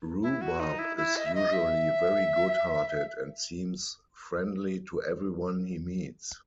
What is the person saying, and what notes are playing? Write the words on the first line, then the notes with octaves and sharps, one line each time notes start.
Roobarb is usually very good hearted and seems friendly to everyone he meets.
E4
F#4
D#4
E4
E4
D#5
E5
D#5
E5